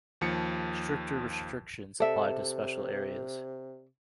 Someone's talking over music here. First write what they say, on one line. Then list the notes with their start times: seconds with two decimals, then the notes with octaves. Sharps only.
Stricter restrictions apply to "special areas".
0.21 D#2 F3 C#7
2.00 C3 A4 D5 E5